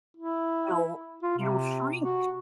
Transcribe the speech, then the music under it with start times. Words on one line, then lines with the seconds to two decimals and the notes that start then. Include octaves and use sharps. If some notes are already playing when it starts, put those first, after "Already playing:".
will it'll shrink
0.17 E4
1.23 F4
1.38 C3
2.03 F#4